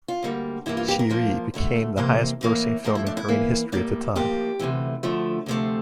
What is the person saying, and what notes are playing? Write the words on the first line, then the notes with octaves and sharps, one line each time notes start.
"Shiri" became the highest-grossing film in Korean history at the time.
F4
D2 D3 G3 A#3
G2 E3 A#3 E4
F4
G4
A#4
A#2 F3 A#3
D2 D3 A3
F2 C3 E3 A#3 C5
A2 E3 A#3
A2 F3 A3 A#4
E4
D4
E4
E2 E3 A#3
A2 G3 A#3 D5
A2 F3 A#3 G4
D2 C3 E3 A3
D2 D3 F3 A3
D2 C3 F3 A3